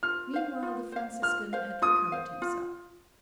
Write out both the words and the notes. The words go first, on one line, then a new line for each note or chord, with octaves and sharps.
Meanwhile the Franciscan had recovered himself.
F4 F6
C5 F5
F4
C5 F5
F4 F6
C5 F5
F4 D#6
C5 F5
F4